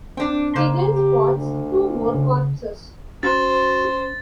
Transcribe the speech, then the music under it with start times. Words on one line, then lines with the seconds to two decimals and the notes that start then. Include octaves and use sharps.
He then spots two more corpses.
0.17 C4 D4 G5
0.55 C#3 A#3 C5
0.92 G4
1.36 D2
2.14 C#3
3.23 C#4 F#4 C5 A6